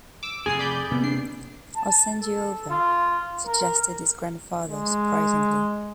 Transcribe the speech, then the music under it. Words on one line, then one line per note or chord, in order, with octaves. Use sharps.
"I'll send you over," suggested his grandfather surprisingly.
D6 E6
F1 F2 G#4 G#5 C7
D5 B5 G6
C3 A#3 B3
D4 C7
A5
A4
F4
A#4
G#3